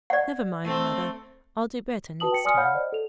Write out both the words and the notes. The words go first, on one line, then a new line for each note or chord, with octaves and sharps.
'Never mind, Mother; I'll do better next time.'
D5 F#5
A3 C4
F#4 B4 A5 D#6 F#7
G5 C#7
D5 G#5 C6 D#6 F6 C#7
C#5 F5 F#5 B5 F6 G6
C5 D5 D#5
A4 F7